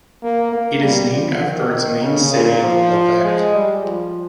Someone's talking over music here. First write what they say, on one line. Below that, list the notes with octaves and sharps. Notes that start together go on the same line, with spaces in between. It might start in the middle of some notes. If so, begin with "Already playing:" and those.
It is named after its main city - Lovech.
A#3
A#3
G3
F3
D#3
D#3
C#3
A#2
F3
G#3
G3
F3